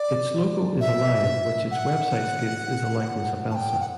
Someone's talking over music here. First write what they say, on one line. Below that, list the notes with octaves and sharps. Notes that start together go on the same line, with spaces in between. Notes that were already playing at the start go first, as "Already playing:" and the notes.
Its logo is a lion, which its website states is a likeness of Elsa.
Already playing: D5
E5
F#5
A5
G5
F#5